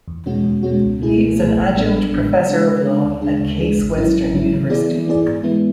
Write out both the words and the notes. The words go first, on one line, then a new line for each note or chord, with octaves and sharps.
He is an adjunct professor of law at Case Western University.
E2
B2 G#3 C#4 F#4
E2
B2 G#3 C#4 F#4
C#2
B2 A3 E4 G#4
C#2
B2 A3 E4 G#4
A1
A2 G#3 B3 D4
A1
A2 G#3 B3 D4
C#3
G#3 D4
C#3
G#3 D4
D2
C#3 G#3 D4 G#4
D2
C#3 G#3 D4 G#4
A1
G#2 F#3 C#4 E4
A1
G#2 F#3 C#4 E4
E3
B3 E4 G#4 D5
E3
B3 E4 G#4 D5
G#2
E3 G#3 B3 E4